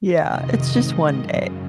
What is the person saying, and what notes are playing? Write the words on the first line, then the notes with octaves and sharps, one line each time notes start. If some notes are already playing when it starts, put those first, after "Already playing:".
Yeah, it's just one day.
F2 C3 D#3 D#5
G#2 D#3
F#2 C#3